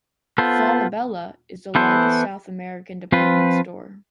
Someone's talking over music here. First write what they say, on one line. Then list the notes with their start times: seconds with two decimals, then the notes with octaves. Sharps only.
Falabella, is the largest South American department store.
0.38 B3 F4 A4 C5
1.75 E3 B3 E4 A4 C5
3.12 F3 C4 F4 B4